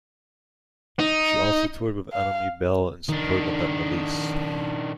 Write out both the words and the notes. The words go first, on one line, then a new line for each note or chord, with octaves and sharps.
She also toured with Anomie Belle in support of that release.
D#4
F5
D#3 D4